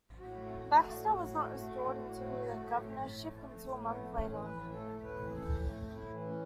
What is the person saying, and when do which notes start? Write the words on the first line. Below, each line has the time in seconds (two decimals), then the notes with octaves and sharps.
Baxter was not restored to the governorship until a month later.
0.19 A2 F#4
0.42 A3
0.65 A3
0.88 A2
1.10 A2
1.33 A3
1.55 A3
1.78 A2
2.01 A2
2.24 A3
2.46 A3
2.69 A2
2.91 A2
3.14 A3
3.37 A3
3.61 A2
3.82 A3 B3
4.05 A2
4.13 C#4
4.29 E3
4.43 B4
4.50 A2
4.74 A3 A4
4.97 A2
5.03 B4
5.19 E3
5.34 A4
5.41 A2
5.64 A3
5.88 A2
5.94 E4
6.09 E3
6.25 C#4